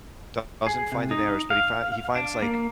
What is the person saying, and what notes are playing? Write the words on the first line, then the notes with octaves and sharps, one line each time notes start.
d doesn't find Daenerys, but he find he finds, like,
G#4
C3
D#4
F5
D4
A#3